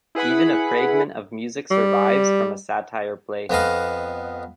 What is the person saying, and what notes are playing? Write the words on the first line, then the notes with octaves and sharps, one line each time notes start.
Even a fragment of music survives from a satyr play.
E4 G#4 B4 F#5 B5
G3
F2 B3 D#5 F5